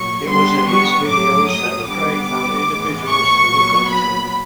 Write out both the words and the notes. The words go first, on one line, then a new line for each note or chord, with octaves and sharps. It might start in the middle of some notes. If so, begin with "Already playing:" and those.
It was in these videos that Lecrae found individuals to look up to.
Already playing: A#2 F#3 C#6
D3 G3 B3 C6
C#6
A2 F#3 A3 D6
D#6
D3 G3 B3 D6
A2 E3 G#3 B3
C#6
A#2 F#3 B3
B5